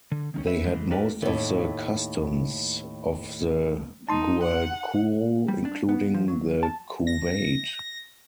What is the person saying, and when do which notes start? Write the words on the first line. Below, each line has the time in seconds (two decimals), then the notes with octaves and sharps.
They had most of the customs of the Guaycuru, including the couvade.
0.12 D3
0.34 D#3 A#3 C#4
0.47 B4 C#5 E5
0.64 E3 G#3 A3
0.91 D#4 F#4 G4 A#4 B4 D5
1.22 D#2 A2
4.09 D#4 A5 C6
4.43 F#5
5.48 G3
5.65 D4
5.89 B3
6.14 F3
6.28 F#3
6.63 A5
7.07 A#6